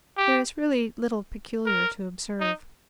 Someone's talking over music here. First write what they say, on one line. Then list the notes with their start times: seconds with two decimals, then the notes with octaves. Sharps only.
There is really little peculiar to observe.
0.17 G4
1.66 A#4
2.40 D#4